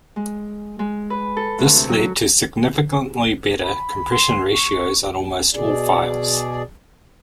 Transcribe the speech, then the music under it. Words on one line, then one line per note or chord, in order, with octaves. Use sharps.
This led to significantly better compression ratios on almost all files.
G#3
G#3
B4
A4
D2
C3
F#3
B5
C6
C#6
B2 G#4 D5